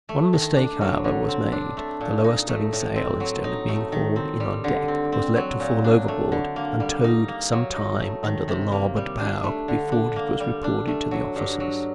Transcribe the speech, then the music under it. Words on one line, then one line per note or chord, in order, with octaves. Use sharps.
One mistake, however, was made; the lower studding-sail, instead of being hauled in on deck, was let to fall overboard, and towed some time under the larboard bow before it was reported to the officers.
A3
D#3
D4
F#3
D3
C4
D4
A3
A#2
D#4
A3
A2
C4
F#3
D#4
A3
D#3
C4
G3
D3
C4
C4
F#3
A#2
D4
A3
D3
A#3
G3
D#4
A#3
F#3
D#4
A3
D#3
C3
A#3
G3
D4
A3
D3
D4
A#3
G3
D4
A3
F#3
G2
F#3